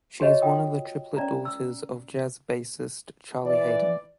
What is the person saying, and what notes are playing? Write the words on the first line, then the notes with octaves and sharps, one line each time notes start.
She is one of the triplet daughters of jazz bassist Charlie Haden.
F#4 G4 C#5 D#5
F4 G5 D#6
C#4 D5 A#5
E6
E3 D5